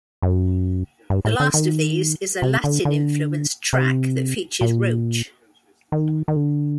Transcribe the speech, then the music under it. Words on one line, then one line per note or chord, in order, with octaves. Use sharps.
The last of these is a Latin-influenced track that features Roach.
F#2
G2
A2
D3
D#3
C3
D3
D3
C3
A#2
D#3
D#3
D3